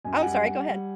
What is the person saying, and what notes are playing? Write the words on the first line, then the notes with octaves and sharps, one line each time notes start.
Oh, I'm sorry, go ahead.
F#2 G#5
G5
G3 F#5 G#5
G3
G3